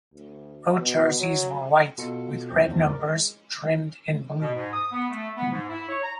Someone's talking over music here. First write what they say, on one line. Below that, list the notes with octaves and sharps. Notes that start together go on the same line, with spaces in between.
Road jerseys were white with red numbers trimmed in blue.
D2
B2
F#3
B2 F4 A4 C#7
D2 F3 C4 G6
E2 G#2 F3
A#4 D5
G#3
B2
G#2
D#6
B3
A3
B3
G#2
E4
C#5
A#5